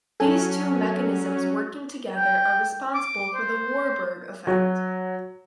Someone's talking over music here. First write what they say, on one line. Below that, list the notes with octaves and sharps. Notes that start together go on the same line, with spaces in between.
These two mechanisms working together are responsible for the Warburg effect.
F#3 C#4 A4 G#5
G5
D6
C5
F#3